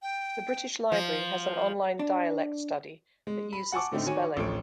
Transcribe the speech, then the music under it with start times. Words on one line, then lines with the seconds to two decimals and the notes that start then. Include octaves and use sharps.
The British Library has an online dialect study that uses the spelling.
0.02 G5
0.92 F3
1.99 D4
3.27 G#3
3.53 B5
3.72 F#5 G#5 A5 C#6 D6
3.91 A2 D3 A3 C4 D#4
4.06 D#3 F#4 C#5 G#5 D#7
4.36 D1 A1 F3 A3 C#5 D7